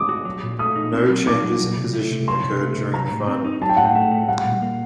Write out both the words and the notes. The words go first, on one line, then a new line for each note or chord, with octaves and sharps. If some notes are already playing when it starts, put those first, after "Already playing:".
No changes in position occurred during the final.
Already playing: D6 D#6
F#4
F#3
A#2
A3 D#6
D#4
C4
F#3
D#4 D6
F#3
F#3
C3
A3
C3
F#3 C6
C3
A3
C3
F#3 A#5
A2
C4
D#4
F#3 A5
G5
A2 F#5
G5
A3
A2
G3 F#5
A#2
A#3